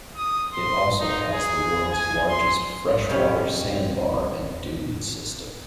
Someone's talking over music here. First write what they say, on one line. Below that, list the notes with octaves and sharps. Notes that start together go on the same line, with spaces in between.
It also has the world's largest fresh water sand bar and dune system.
D#6
C6
D#4
G#4
G#5
C6
C3 C#4 G4 C#5 B5